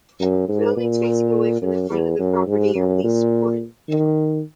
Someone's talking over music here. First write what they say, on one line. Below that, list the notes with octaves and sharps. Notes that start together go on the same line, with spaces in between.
Buildings facing away from the front of the property are the least important.
F#2
G#2
A#2
F#2
E2
F#2
G#2
F#2
A#2
D#3